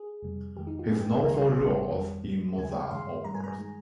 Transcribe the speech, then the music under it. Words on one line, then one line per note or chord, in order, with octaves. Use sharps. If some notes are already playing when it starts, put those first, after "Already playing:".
He is known for roles in Mozart operas.
Already playing: G#4
F2 C3 G3
F2 D#3 G#3 G4
D#4
F4
G2 G3 G#4
G5
G#5
C2 C3 D#3 G3 A#5
C6
A#5
G#1 G#2 D#3 G3 C6
F2 D#3 G3
A#1 A#2 G3
D#2 C#3 F3 G#3 G#5
G5
F5
G2 D#3 G#3 C6
G2 D#3 G3 A#5
G#5
A#5
D#3 G#3